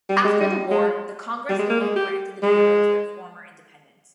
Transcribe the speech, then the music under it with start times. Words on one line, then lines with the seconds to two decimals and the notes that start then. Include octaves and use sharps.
After the war, the Congress again granted the bureaus their former independence.
0.09 G3
0.25 G#3
0.40 G3
0.71 G#3
1.49 G3
1.59 G#3
1.70 A#3
1.81 G#3
1.96 G4
2.43 G#3